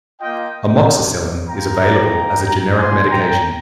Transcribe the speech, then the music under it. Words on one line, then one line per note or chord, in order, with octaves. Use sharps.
Amoxicillin is available as a generic medication.
A#3 F4 D#5 G5
C4 D#4 G4
A#3 F4 G5 A#5
A#3 D#4 G4
G3 A#3 F4 G#5 C6
G5 A#5